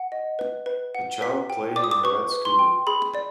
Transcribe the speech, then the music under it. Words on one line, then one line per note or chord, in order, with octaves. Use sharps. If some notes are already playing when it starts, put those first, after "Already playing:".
A child playing on a red scooter.
Already playing: F#5
D#5
B4
B4
F#5
B4 B6
G5
D5 D6
D#6
D6
B4 C#6
B4
C6
G5
G#4 B5
D5